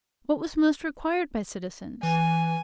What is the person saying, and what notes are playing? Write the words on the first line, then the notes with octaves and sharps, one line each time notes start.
What was most required by citizens?
E3 G#5